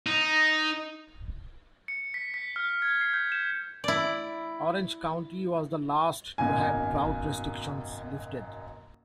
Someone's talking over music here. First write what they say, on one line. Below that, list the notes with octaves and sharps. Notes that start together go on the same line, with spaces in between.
Orange County was the last to have drought restrictions lifted.
D#4
C#7
B6
B6
F6
G#6
C7
G6
E7
E4 D5
G#1 F#2 B2 A#3 G#5